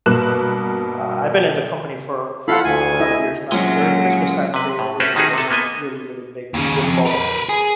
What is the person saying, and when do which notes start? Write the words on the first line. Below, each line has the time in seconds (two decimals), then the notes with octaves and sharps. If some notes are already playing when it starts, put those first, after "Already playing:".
uh- I been in the company for for a couple of years now- and during Christmas times, they always give us a really, really big, good bonus,
0.06 G2 B2 A#3 B3 F#6 E7
2.48 E4 F4 A4 F5 F#5 B5
2.65 D2 G#5
3.00 E4 D#5 E5
3.52 A#2 F#3 G#3 C#4 F#5
4.54 C3 B4
4.79 A2
5.00 C#4 F#4 G4 A4 B4 C5
5.15 A2 D#3 C#4 D#4 F#4 G#4
5.33 C3 A4
5.50 A#3 B3 D#5 G#5
6.54 D#2 C#3
6.83 F2
7.05 A#4 B4
7.49 G#4